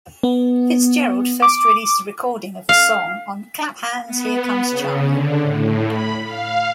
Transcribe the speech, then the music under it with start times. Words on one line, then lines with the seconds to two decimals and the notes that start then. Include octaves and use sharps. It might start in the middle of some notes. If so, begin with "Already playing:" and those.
Fitzgerald first released a recording of the song on Clap Hands, Here Comes Charlie!
0.23 B3
1.42 D6
2.69 F5
4.06 B3
4.68 C#3
5.07 D3
5.41 A2
5.88 B5
6.24 F5